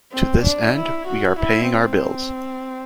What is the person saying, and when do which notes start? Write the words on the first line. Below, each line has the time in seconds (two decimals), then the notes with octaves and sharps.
To this end, we are paying our bills.
0.12 C4
0.43 D4
0.76 E4
1.07 F#4
1.39 E4
1.71 C4